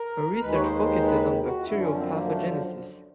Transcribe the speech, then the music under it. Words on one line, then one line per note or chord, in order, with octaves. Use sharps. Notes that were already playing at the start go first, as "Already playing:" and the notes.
Her research focuses on bacterial pathogenesis.
Already playing: A#4
A#4
D#2 D#3 G#3 B4
C#5
C5
B4
C5
B4
F#4
F4
F#2 D3 F3 E4
C#4
C4
B3
A#3
A3